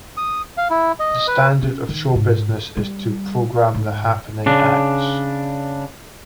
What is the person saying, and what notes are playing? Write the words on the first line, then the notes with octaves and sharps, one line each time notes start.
The standard of show business is to program the happening acts.
D#6
F5
E4
D#5
B4
C#4
D#3
G#2
G3
G#2
C#3 D4